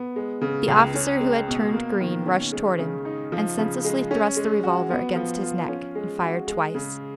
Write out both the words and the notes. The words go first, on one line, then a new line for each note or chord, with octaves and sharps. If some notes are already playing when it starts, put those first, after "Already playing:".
The officer, who had turned green, rushed toward him, and senselessly thrust the revolver against his neck, and fired twice.
Already playing: B3
G#3
C#3
C#2
C#4
G#3
B2
A#3
D#3
C#4
G#3
C#3
D#4
F3
C#3
G#3
C#4
G#3
F#4
B3
F3
F4
C#4
G#3
F#4
G#3
C#3